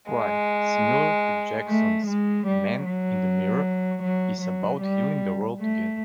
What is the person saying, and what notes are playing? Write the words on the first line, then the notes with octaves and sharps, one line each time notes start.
"Cry", similar to Jackson's "Man in the Mirror", is about healing the world together.
G#3
A3
G#3
G3
F#3
F#3
F#3
G3
A3